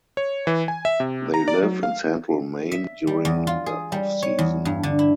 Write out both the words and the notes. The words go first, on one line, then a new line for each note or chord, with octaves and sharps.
They live in central Maine during the offseason.
C#5
E3
G#5
E5
C3
A#5
D5
F#3
F5
E5
G3
E2
F4
G#4
G3
C#5
E2
G2
D3
E4